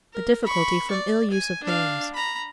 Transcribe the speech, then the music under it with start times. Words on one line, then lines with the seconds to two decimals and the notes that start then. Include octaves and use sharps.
The Difficulty from ill Use of Names.
0.13 A#4
0.44 B5 C#6
0.91 D5
1.31 G#5
1.64 D4 F5
2.14 A#5 B5